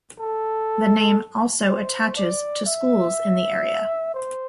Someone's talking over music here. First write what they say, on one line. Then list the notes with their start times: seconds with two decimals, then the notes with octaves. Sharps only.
The name also attaches to schools in the area.
0.20 A4
1.67 C5
2.17 D5
2.66 E5
4.14 C5